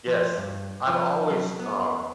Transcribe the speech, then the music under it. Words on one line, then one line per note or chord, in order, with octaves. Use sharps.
Yes, I've always, um,
F3
G2
F3
F#3
B3